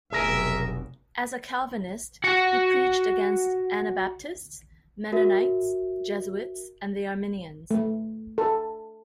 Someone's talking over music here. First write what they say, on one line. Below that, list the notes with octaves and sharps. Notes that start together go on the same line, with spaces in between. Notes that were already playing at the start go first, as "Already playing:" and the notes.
As a Calvinist, he preached against Anabaptists, Mennonites, Jesuits and the Arminians.
F1 B1 G#4 A#4 E5
F#4 F#5
F#4 A#4 E5
A3
A4